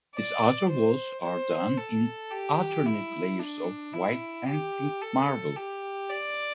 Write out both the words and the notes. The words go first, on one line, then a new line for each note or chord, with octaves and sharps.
Its outer walls are done in alternate layers of white and pink marble.
D5
C5
C5
A4
G4
E4
D4
E4
G4
A4
G4
D5